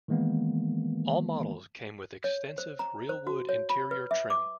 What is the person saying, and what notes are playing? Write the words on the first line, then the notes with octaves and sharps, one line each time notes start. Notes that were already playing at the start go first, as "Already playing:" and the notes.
All models came with extensive, real wood interior trim.
D#3 E3 G#3 A#3 B3
C#5
C5
A#5
C5
F#4
C#5
B5
B4
E5
D6